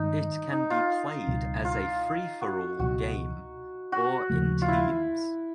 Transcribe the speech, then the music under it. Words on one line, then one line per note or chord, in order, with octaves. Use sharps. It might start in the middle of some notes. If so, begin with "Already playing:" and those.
It can be played as a free-for-all game or in teams.
Already playing: G2 D#3 G#3 D#4
D#4
F4
C#2 B2 G3 C4
F4
F#4
C#2 B2 F#3 F#4
F#4
D#2 C#3 F3 A3
F4
E4